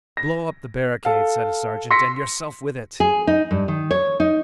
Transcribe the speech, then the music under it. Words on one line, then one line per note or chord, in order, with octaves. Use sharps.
"Blow up the barricade!" said a sergeant, "and yourself with it!"
A#6
A4 F5
C6 E6 A#6 B6 C#7
G#4
D#4
G2
D#3
C#5
D#4